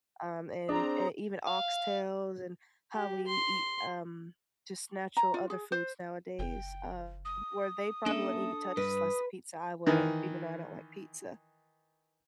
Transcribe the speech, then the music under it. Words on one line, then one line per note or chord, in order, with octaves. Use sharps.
um, and, uh, even oxtails and how we eat, um, just natural other foods nowadays, um, where they probably wouldn't even touch a slice of pizza, I will, even though I don't like pizza,
C4 D4 G#4 A#5
F5
G4
C6
A#5
F4
G#4
C5
F#1 G5
D#6
A#3 C#4 D4 A4 E5
G2 B4
D#3 E3